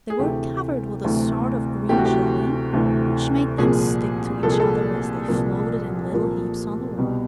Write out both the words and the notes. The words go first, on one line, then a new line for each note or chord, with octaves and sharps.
They were covered with a sort of green jelly which made them stick to each other as they floated in little heaps on the water.
G#4
D2 C3 E3 A3 G4
D2 C3 E3 A3
D2 C3 E3 A3 G4
F#4
G4
D2 C3 E3 A3
C2 A#2 F3 A#3 G#4
C2 A#2 F3 A#3 A4
G#4
A4
C2 A#2 F3 A#3
C2 A#2 F3 A#3
C2 B2 G3